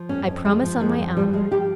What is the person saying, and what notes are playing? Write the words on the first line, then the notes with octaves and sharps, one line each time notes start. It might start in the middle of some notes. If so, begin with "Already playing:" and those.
"I promise on my honor."
Already playing: F3
F2 C#4
F2
F3 G#3
F3
F2 G#3
F3
F3 G3
F3 G#3
F3 G4